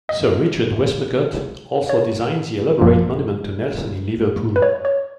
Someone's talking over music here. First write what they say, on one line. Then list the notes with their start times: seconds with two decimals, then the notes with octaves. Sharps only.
Sir Richard Westmacott also designed the elaborate monument to Nelson in Liverpool.
0.09 D#5
1.89 C#5
2.81 G#1 F#2 F3 A#3
4.56 B4
4.62 C#5
4.85 C#5